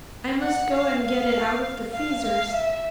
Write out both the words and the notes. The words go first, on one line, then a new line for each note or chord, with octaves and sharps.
I must go and get it out of the freezers.
F#5
F5
F5
F5
F5
E5